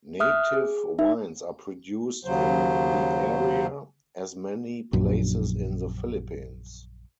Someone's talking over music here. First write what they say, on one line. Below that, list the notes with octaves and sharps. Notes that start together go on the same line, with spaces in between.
Native wines are produced in the area, as in many places in the Philippines.
E5 D#6 F6 F#6
G#4
D#4 E5
D#2 C#3 F#3 C5
A#1 F#2